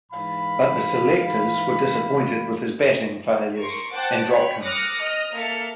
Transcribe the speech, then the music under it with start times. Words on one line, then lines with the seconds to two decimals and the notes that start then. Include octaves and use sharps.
But the selectors were disappointed with his batting failures and dropped him.
0.11 G#2 E3 F5 B5
3.58 A#4 C6 C#6 C#7
3.91 C5 F#5 G5 A5 D6
4.28 C#5 G5 B5
4.63 D6 D#6 F6 F#6 A#6 C#7
5.01 D#5 D#6 F6
5.35 A#3 A4 E5 A5 F6 C#7